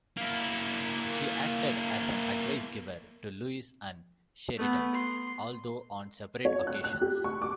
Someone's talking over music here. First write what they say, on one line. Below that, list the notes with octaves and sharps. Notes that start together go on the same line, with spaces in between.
She acted as an advice-giver to Luis and Sheridan, although on separate occasions.
A#3 E4
A3 B3
C6
C#5
F#6
F#6
G4
C#6
D6